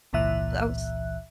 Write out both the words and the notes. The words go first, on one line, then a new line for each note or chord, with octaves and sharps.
I was
G#1 C#2 A#2 E3 E5 F#6